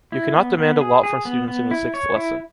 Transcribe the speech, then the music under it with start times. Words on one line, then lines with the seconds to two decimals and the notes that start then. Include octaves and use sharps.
You cannot demand a lot from students in the sixth lesson.
0.12 E4
0.36 B3
0.58 B3
0.81 G#4
1.03 G#4
1.25 B3
1.48 B3
1.71 E4
1.94 C#5
2.16 E4